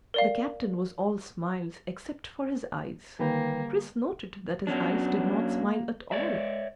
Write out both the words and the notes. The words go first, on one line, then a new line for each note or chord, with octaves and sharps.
The Captain was all smiles except for his eyes; Chris noted that his eyes did not smile at all.
A#4 D5 F5
D3 D#3 G3 A#3 B4 G5 G#5
F#3 B3 C#4 D4
A#3
G#3 C#5 D5 E5